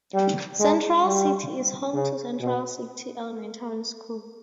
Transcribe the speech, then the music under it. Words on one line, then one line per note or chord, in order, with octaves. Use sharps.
Central City is home to Central City Elementary School.
G3
G#3
G3
C#3
B2